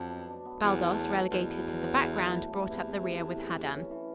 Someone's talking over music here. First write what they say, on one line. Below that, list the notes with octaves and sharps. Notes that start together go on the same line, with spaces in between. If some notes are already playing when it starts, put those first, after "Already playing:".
Baldos, relegated to the background, brought up the rear with Haddan.
Already playing: F2 F#3 D4
B2
D4
B3
E2 F#3
A3
F#3
B2
E2 B2
B2
B2
F#3
E3
A3
A3
C3
E2 E3
C3
A3
C3
E3
E3
C#4
E3